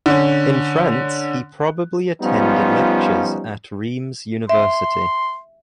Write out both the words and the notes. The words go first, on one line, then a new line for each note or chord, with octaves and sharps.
In France he probably attended lectures at Rheims University.
D3 C#4
F3 G3 B3 C#4 D#4 F4
E5 C6